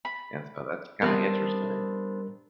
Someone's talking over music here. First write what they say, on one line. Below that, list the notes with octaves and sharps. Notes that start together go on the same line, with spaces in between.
And so that's kinda interesting.
B5
G3 B3 C4 D4 A#4